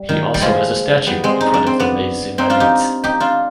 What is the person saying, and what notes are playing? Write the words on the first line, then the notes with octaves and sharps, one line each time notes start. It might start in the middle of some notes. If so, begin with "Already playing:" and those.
He also has a statue in front of the Les Invalides.
Already playing: G3
D#3
G3
F3 G#3
G3 B3
G#3 C4
D#4
D4
C4
B3 D4
C4 D#4
D4 F4
D#4 G4
D#4 G4
D4 F4